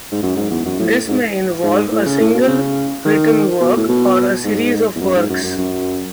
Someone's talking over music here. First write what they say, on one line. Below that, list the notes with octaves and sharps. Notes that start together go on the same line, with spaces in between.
This may involve a single written work, or a series of works.
G#2
F#2
G#2
E2
F#2
A2
G#2
G#2
A2
C#3
A2
B2
C#3
D#3
B2
A2
B2
G#2
E2
F#2
G#2
F#2
F#2
F#2